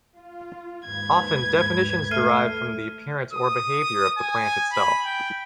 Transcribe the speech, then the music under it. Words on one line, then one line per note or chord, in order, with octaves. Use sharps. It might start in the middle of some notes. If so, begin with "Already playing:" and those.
Often, definitions derive from the appearance or behavior of the plant itself.
F4
D#2 G#2 B4 G#6
A3 F6 C7 D#7
D#6
G#5
B5
G5